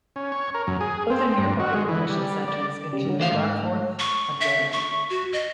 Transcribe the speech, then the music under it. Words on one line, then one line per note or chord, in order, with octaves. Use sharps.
Other nearby commercial centres include Garforth and Wetherby.
C#4
C#5
A#4
F#2
G#4
C4
G2
F#4
G#3
E3
G3
D5
C#3 G3
G2 F#3
E3 A3 C5 F5
G#2
C#6
E5
C#6
F#4
D#5